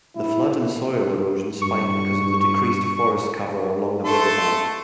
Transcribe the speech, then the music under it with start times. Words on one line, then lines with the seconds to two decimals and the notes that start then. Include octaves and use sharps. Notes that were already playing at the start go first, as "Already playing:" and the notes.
The floods and soil erosion spiked because of the decreased forest cover along riverbanks.
0.16 E4
1.62 G2 C#6
4.05 A3 A4 C6